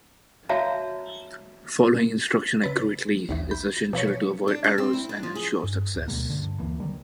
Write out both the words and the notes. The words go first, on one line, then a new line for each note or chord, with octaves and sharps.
Following instructions accurately is essential to avoid errors and ensure success.
F#4 C#5 E5 F5 A5 A#5
C#3 B4 A6
A#1 D#2 E3
B5 G6
B2 F3 B4 C#5
D4
D4
C4
E4
D4
F3
G#4
G2
D1
D2 B2 G3 A#3
G2 D3
D2 E3 A#3
D3 D#3 F#3 G3